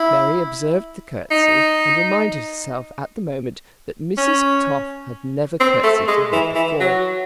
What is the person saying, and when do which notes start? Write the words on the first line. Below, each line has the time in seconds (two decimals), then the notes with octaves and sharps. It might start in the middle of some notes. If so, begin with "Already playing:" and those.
Mary observed the curtsey and reminded herself at the moment that Mrs. Toff had never curtseyed to her before.
Already playing: E4
1.31 D#4
4.17 C#4
5.60 C4
5.84 A3
6.07 G#3
6.32 E3
6.55 E3
6.80 F#3